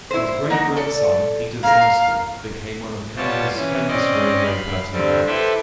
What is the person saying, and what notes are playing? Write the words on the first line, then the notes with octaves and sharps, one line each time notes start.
His great-grandson, Peter Gzowski, became one of Canada's famous radio personalities.
E4 C5
A#3 D#4 F#5
A4 D5
A#3 A#4 F5
B2 G3 F4 C#5 A5 A6
E3 C#4
C4 C#4 C5 D5 D#5
F5 B5
G2 D3 G3 C4
E4 G4 A4 B4 C5 E5